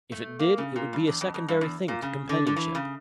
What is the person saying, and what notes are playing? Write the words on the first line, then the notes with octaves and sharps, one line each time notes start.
If it did it would be a secondary thing to companionship.
A3
A#3
C#3
A#2
G2
E2
F2
F2
G2
E2
A#2
C#3
D3
D3
E3
C#3